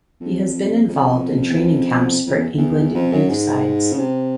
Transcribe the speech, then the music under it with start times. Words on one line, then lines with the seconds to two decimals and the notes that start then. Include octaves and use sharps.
He has been involved in training camps for England youth sides.
0.21 F2
0.89 F2
1.50 E2
1.57 F2
2.27 F2
2.37 E2
2.58 E2
2.95 F2
3.12 F#2
3.30 G#2
3.93 C#3
3.98 C3